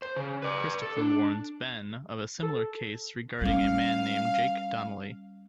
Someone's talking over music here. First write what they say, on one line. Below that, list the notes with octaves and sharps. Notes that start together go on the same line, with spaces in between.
Christopher warns Ben of a similar case regarding a man named Jake Donnelly.
C5
C#3
B4 D5
A4
D4
A4
G3 C#4 F5